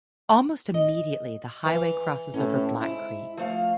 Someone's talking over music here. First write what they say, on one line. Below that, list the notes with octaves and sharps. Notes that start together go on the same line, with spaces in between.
Almost immediately, the highway crosses over Black Creek.
D#5
E3
A2 C#4
G#2 E4
F3 A3 F5